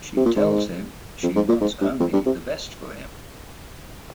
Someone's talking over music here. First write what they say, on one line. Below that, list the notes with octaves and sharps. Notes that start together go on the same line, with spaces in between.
She tells him she wants only the best for him.
C3
A#2
G#2
F2
G#2
A#2
G#2
G2
F2
G2
C3